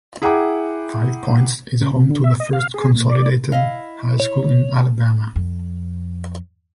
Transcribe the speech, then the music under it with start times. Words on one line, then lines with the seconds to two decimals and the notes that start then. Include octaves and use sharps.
Five Points is home to the first consolidated high school in Alabama.
0.22 E4 G#4 F#5 G5 A#5 D6
1.81 C#3
1.96 C3
2.10 D3
2.24 E5
2.40 D#5
2.53 F5
2.74 G#4
2.95 A#2
3.10 D5
3.52 E4 D#5 F5
4.20 C#5
5.36 F2